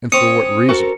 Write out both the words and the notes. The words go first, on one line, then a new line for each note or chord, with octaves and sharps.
"And for what reason?"
C4 C#4 D#6 C#7
F#4 A4 A#4